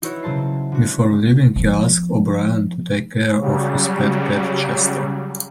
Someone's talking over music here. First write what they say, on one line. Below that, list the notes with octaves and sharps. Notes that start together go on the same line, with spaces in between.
Before leaving, he asks O'Brien to take care of his pet cat Chester.
D#4 E4 F#4 B4 C#5
C#3 F#3 C5 A5 C7
D3 F#4
F3 B3
C#3 F#3 G3